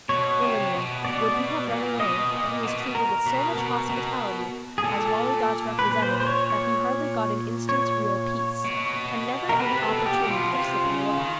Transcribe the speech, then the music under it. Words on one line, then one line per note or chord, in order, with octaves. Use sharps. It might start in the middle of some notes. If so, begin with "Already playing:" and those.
Willingly would he have run away; but he was treated with so much hospitality as Wali Dad's representative, that he hardly got an instant's real peace, and never any opportunity of slipping away.
B2 C#5
C3
B2
B2 D5
B2
A#2
B2 D#5
A#2
B2
A#4
B2
B2
B2
G#4
A#2 A4
B4
B4
C5
C5
C#5
C#5
C#5
B2
A#4
C3 B4
A4
B2
G4
A#2
B2
F4
C3 F4
C#3
D#3